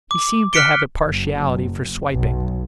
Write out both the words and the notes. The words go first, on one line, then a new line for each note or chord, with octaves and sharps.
He seemed to have a partiality for swiping.
D6
F6 F#6 B6 C#7 D7 G7
F#1
B1